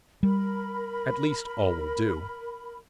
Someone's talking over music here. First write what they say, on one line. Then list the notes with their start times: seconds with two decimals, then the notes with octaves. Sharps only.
At least all will do.
0.23 G3 A#4 B5